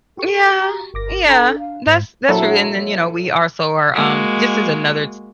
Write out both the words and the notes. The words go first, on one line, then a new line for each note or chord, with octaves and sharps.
Yeah, yeah. That's that's true, and then, you know, we also are, um just as another,
F#4 G4 A4 C#6
A#5
G1 A#4 D6 A#6
D4 A4 A#5 G6 B6
F5
G#2 C5
A#1 F#3 E4 A4
G#3 A#3 F#4